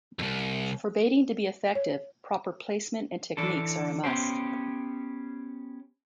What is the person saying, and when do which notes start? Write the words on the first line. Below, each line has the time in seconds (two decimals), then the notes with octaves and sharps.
For baiting to be effective, proper placement and techniques are a must.
0.19 C2 F2
1.75 C#5
3.37 E3 D4 A4
4.04 B3 C#4 G4 C5